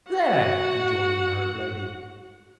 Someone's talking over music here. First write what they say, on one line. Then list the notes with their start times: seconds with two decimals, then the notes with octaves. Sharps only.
'There!' rejoined the married lady.
0.11 F#4 F#5